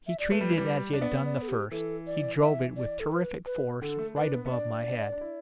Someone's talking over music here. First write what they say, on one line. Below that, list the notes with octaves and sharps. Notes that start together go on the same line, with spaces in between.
He treated it as he had done the first--he drove it, with terrific force, right above my head.
E5
D5
A3 B4
G3
E3
G3
D4
B3 D5
D5
A4
G4
E3 A4
D5
E5
D5
A4
B4
B4
D3 A4
A3
D4 B4
B3
B3
D4 D5
D4
E4